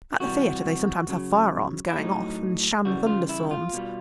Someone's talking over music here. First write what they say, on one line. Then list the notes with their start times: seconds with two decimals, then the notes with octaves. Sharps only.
At the theatre they sometimes have fire-arms going off and sham thunderstorms.
0.20 C3 E3 G3 F#4
1.09 C#3 F#3
1.88 E4
1.97 A2 F#3 D#4
2.85 C#3 E3 G3 F#4
3.07 F4
3.29 E4
3.51 F4
3.73 B2 G3